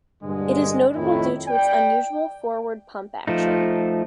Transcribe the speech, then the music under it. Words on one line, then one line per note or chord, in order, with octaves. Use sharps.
It is notable due to its unusual forward pump action.
G2 A#2 D3 G#3
F2 A2 D#3 E4
D5 G5
F3 A3 D#4